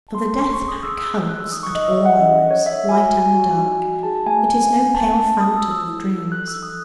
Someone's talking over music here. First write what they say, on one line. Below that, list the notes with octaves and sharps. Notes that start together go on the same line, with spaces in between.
For the death-pack hunts at all hours, light and dark; it is no pale phantom of dreams.
A5
A4 C6
C#4 C6
C#6
G#4
D#6
G#4 E6
E6
G#4
E6
A4 F#6
E6
D#4 D#6
C#6
D#4 D#5
E5
G#4
F#5
C#4 D#5
A4
C#5
D#4 E5
F#4 G#5
F#4
F#4
D#4
F#4
G#4 A5
A3 G#5
A4
A4
C#4 A5
C#4 A5
F#4 D#6
E6
A4
E6
E4
A4
A4 F#6
E6
D#4
D#6